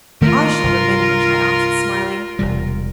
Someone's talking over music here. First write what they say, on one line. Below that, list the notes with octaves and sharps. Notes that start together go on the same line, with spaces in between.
'I shall remember it,' I answered, smiling.
D#3 A3 A#3 F4 A#4
C2 G2
E1 C3 G3